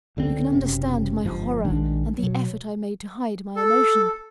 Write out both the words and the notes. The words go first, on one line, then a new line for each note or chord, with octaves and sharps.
You can understand my horror and the effort I made to hide my emotion.
C#2 D3 F3 C4
F#1 C3 C#4
G1 G#2 F3
A#1 D#3 G#3 D4
B2 F#3
A4